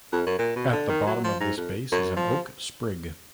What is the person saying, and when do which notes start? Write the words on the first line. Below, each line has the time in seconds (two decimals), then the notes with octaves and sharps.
At the bottom of this base is an oak sprig.
0.13 F2
0.26 F#2
0.39 A#2
0.56 B2
0.72 D3
0.89 D#3
1.07 F#3
1.24 F3
1.40 G#2
1.57 F2
1.92 F#2
2.16 F3